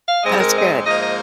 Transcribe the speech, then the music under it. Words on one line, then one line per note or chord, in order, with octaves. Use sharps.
That's good.
F5
G#2 G#3 C4 D#5
A#4
D#5
G#2 F3 A#3 D#5
D#5